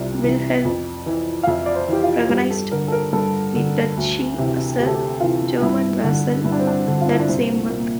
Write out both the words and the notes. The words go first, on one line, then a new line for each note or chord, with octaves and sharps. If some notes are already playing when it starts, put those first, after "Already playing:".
Wilhelm recognised the duchy as a German vassal that same month.
Already playing: C2 C3 F4 D5
C3 E3
F2
E3
F5
F2 E5
D5
C5
E3 G4
F4
G2 G4
A4
D3 A#4
A4
A#4
G2 A4
D3
D2
C3 E3
D2 G4
A4
G4
C3 E3 F4
G2 E4
D3
G2 E4
D4
C4
D4
D3
F4
E4
D4
C2 C4
A#3
A#2 A#3